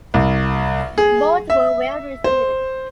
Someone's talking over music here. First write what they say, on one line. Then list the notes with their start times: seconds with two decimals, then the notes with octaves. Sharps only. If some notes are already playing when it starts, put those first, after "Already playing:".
Both were well received.
0.14 C2
0.98 G#4
1.50 E5
2.24 C5